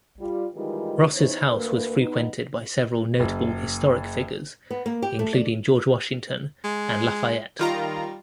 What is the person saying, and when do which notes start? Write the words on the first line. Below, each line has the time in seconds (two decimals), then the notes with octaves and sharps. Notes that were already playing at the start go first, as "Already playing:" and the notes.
Ross's house was frequented by several notable historic figures, including George Washington and Lafayette.
0.20 G3 F4
0.55 D#3 E3 G3 G#3 D#4 F4
1.15 E3 B3 D#4 C5 C#5
1.48 D2 A#3 B4
1.98 B3 D#4
3.20 F#1
4.71 B3
4.86 A#3
5.02 G4
5.19 A3
5.33 D5
6.64 G#3
7.59 D#3 G3 F4 A#5